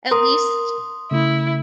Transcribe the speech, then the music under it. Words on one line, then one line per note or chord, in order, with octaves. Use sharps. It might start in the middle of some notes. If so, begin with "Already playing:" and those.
at least,
A#4 C6 D#6
C#3 A3 E4